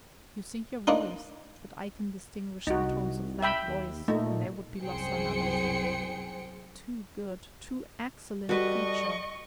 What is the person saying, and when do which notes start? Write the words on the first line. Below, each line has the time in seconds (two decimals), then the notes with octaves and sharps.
You sink your voice, but I can distinguish the tones of that voice when they would be lost on others. Too good, too excellent creature!
0.87 A#3 D4 D#4 F4
2.67 C2 D#4 F#4
3.43 E5 G5 B5
3.68 D#2
4.08 A#2 A3 D#4
4.81 C2 F#2 G#4 C5 G5 C#7
8.49 G3 F#4 A4 B4 D#5 C#6